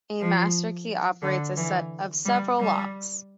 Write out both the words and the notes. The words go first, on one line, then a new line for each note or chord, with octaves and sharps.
A master key operates a set of several locks.
F3
D3
E3
G3
G3